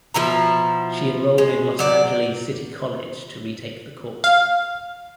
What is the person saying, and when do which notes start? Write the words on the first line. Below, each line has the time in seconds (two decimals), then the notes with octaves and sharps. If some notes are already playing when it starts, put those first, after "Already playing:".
She enrolled in Los Angeles City College to retake the course.
0.14 B2 F3 E4 A#5
1.38 G#3
1.79 F#3 D5
4.24 F5